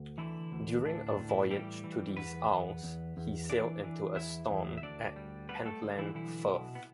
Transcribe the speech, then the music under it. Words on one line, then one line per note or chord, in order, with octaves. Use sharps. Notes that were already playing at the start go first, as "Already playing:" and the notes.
During a voyage to these isles, he sailed into a storm at Pentland Firth.
Already playing: D2
D3 E3 E4
D2
A2 D4
D4
A2
E3 E4
E3 G3 G4
E3
E2 B3 B4
E2
E2
E2
E3 D4 D5
E3
E2 E4 E5
E2
E5
D2 D4 D5
G3
G3 B3 B4
A3 A4
D3
E3 E4
B1 E3 E4
B2
B3